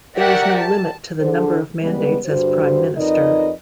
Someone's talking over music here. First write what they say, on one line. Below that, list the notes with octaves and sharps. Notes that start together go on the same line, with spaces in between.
There is no limit to the number of mandates as Prime Minister.
F#4 G4 A#4 D5 E5 F#5
A5
D3 D4 G#4 A4 C5
C#3 G3 G#3 B3 B4
G2 D3 F#4 C5
F2 D#4 A#4 B4 D5 D#5